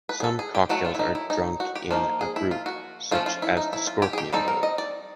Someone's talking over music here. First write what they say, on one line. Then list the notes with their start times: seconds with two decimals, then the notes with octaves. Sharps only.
Some cocktails are drunk in a group, such as the scorpion bowl.
0.09 B4
0.20 G#4
0.24 A4
0.39 G#4
0.55 G4
0.69 D#3 F#3 A3 F#4
0.85 F4
0.95 E4
0.99 D#4
1.15 E4
1.30 D#4
1.60 F#4
1.75 G4
1.91 F3 A#3 D#4
2.21 G#4
2.36 E4
2.51 F4
2.66 F#4
3.11 F3 A3 C#4 F4
3.26 F4
3.42 E4
3.57 D#4
3.73 E4
3.87 F4
4.02 G4
4.13 G#4
4.18 G4
4.33 G3 C4 D#4 A4
4.48 A#4
4.63 D#5
4.78 D5